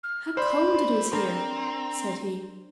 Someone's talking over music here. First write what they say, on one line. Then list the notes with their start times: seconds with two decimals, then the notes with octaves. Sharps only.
"How cold it is here!" said he.
0.03 F6
0.37 A4 C5 D5 B5 C6
1.13 C4 D4 A#4 A#5